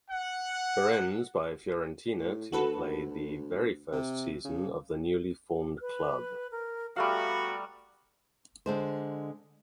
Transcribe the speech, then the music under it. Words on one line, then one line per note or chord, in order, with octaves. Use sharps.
Firenze by Fiorentina to play the very first season of the newly formed club.
F#5
A2
D2 F#4 A4 B4
C3
C#3
B4
A#4
G3 A3 B3 F#4 F5 A#5
D3 G#3 C5